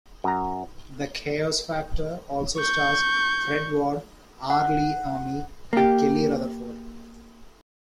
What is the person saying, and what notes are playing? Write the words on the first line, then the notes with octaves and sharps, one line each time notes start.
"The Chaos Factor" also stars Fred Ward, R. Lee Ermey, and Kelly Rutherford.
F#2 A#5
C#6 G6
F#5
A#3 G4